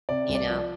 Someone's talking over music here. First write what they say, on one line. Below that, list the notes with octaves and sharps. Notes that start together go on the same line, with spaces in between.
You know?
C3 D5
C2
D5
F3